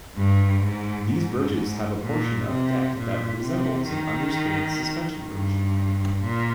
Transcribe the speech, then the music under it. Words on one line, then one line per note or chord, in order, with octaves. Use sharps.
These bridges have a portion of deck that resembles an underspanned suspension bridge.
G2
G#2
G#2
A#2
C3
A#2
C3
D#3
G2
A#2